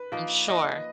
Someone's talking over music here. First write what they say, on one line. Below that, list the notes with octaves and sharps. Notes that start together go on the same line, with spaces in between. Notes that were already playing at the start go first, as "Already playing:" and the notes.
I'm sure.
Already playing: B4
F3 A#3 D#4
D#5